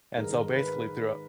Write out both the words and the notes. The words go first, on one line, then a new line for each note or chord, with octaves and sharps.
And so basically throughou
G#2 D#3 G#3 A#4
B4